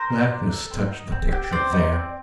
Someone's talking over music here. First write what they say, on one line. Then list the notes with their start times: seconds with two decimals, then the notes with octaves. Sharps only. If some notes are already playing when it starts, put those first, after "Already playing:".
Blackness touched the picture there.
Already playing: A#4 C5
0.10 F4
0.30 D4
0.51 A4
0.71 C4
0.92 D#4
1.12 C4
1.32 G4
1.52 C4 C5 D5
1.73 D#4
1.92 C4